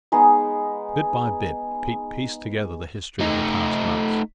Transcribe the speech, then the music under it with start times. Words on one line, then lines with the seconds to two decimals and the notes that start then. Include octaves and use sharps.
Bit by bit Pete pieced together the history of the past months.
0.12 G#3 B3 D#4 G#4
3.20 A3 D#4